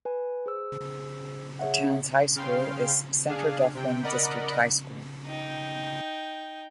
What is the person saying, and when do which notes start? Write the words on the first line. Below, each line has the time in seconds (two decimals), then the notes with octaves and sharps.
The town's high school is Centre Dufferin District High School.
0.05 B4 G#5
0.46 G#4 C5 E6
1.59 G#4 C#5 E5 F#5
2.35 C#3 F5 G5 C6
3.28 D4 G#4 F5
3.74 C3 G5
4.03 A#4 D5 D#5 F#5 B5
5.26 D#4 G5